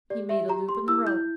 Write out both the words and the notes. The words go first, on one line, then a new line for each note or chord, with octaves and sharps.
He made a loop in the rope.
G4 D5
G4 E5
G4 A#5
G4 C6
E4 E6
E4 G6